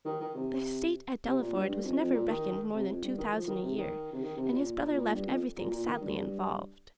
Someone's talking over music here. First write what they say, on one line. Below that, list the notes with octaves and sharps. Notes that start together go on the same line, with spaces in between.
The estate at Delaford was never reckoned more than two thousand a year, and his brother left everything sadly involved.
D#3
D#3
C3
C3
A#2
G2
G2
F2
F2
A#2
D#3
C3
F2
G2
D#3
F3
D#3
C3
D#3
C3
D#3
C3
A#2
A#2
A#2
G2
F2
A#2
A#2
D#3
G2